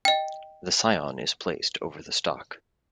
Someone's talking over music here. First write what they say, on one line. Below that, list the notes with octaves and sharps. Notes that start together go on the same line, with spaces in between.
The scion is placed over the stock.
D#5 G5